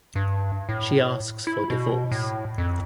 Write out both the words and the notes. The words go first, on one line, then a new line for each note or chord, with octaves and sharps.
She asks for divorce.
G2
A2
E4
B2
A2
F2